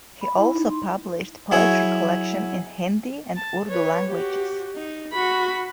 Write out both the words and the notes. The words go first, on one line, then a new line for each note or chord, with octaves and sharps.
He also published poetry collections in Hindi and Urdu languages.
B5
E4
D#4
C6
F#3 E4 G#4 C#5
A5
B4 C#5
F#4 G4
D#4
F#4 B5